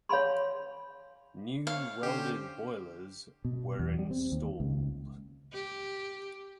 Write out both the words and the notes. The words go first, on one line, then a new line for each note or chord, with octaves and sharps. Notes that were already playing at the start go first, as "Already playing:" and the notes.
New welded boilers were installed.
C#5 F5 G#5 B5 C6
C#5 F5
D3 C#4 G4 C5
B2
E2
G3
C4
D#2
C#2
G4